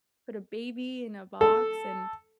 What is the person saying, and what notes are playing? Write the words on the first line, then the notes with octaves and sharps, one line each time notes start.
put a baby in a box and
A4